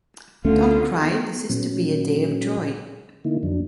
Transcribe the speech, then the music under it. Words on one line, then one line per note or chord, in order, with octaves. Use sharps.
Don't cry; this is to be a day of joy.
D2 D3 A3 C#4 F4
B3
A#2 F#3 C#4
D3 A#3 D#4 E4
F2 F#3 D4